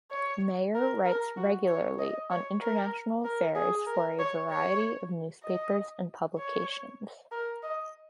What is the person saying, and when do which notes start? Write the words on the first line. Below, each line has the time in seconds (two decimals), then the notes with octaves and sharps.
Meyer writes regularly on international affairs for a variety of newspapers and publications.
0.11 C#5
0.75 A#4
1.05 A#4
1.37 F#4
1.67 C#5
1.99 D#5
2.31 C#5
2.62 A#4
3.25 A#4
3.55 G#4
3.87 A#4
4.19 C#5
4.50 C#5
5.44 D#5
6.38 C#5
7.32 A#4
7.63 D#5